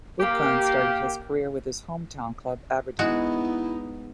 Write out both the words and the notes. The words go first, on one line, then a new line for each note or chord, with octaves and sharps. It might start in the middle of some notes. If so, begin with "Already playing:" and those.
Buchan started his career with his home town club, Aberdeen.
A#3 G4
G#3 B3 D#4 E4 F#4 F#5